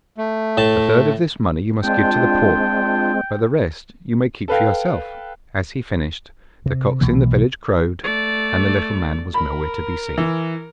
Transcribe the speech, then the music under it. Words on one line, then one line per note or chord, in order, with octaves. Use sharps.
A third of this money you must give to the poor, but the rest you may keep for yourself.' As he finished, the cocks in the village crowed, and the little man was nowhere to be seen.
A3
A2 A5
G#3 C4 D4 F4 G5
A4 B4 F5 G5
C3
B1 B2 E3 A#3
A3 D5
A#4 B5
E3